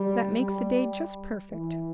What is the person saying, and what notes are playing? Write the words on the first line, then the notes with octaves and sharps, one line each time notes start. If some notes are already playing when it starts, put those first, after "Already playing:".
"That makes the day just perfect."
Already playing: G3
G3
E3